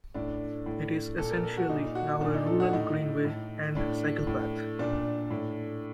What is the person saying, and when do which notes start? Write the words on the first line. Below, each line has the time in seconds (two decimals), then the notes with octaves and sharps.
It is essentially now a rural greenway and cyclepath.
0.14 A2 D4
0.66 A2
1.18 A#2 A4
1.31 A#4
1.43 A4
1.57 F#4
1.69 A#2 D#4
1.95 F#4
2.21 A#2 D4
2.34 D#4
2.46 A4
2.60 F#4
2.73 A2 D#4
3.25 A2
3.75 A2 D4
4.27 A2
4.79 A#2 D4
5.30 A2